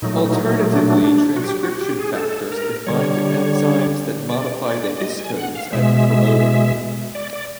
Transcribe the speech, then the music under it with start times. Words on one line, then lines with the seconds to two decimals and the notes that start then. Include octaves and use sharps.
Alternatively, transcription factors can bind enzymes that modify the histones at the promoter.
0.02 A#2 F#3 A3 D#4
0.25 D#4
0.50 D#4
0.73 D4
1.36 F#4
1.44 G4
1.63 F#4
1.81 G4
1.99 G#4
2.15 A4
2.52 A#4
2.87 D3 G3 C#5
4.29 D5
4.66 D5
4.97 D5
5.01 D#5
5.19 G#5
5.36 F#5
5.55 F5
5.73 B2 G#3 E5
7.15 D5
7.33 D5